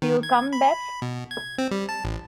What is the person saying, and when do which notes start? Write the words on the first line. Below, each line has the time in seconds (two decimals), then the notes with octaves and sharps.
You'll come, Beth?
0.02 D#3
0.23 G#6
0.53 B5
1.02 B2
1.31 G#6
1.58 C4
1.71 G3
1.89 A5
2.04 A1